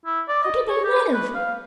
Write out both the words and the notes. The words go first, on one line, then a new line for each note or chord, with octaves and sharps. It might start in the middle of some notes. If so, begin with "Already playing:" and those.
How do they live?
E4
D5
D#5
C#5
G4
B4
F5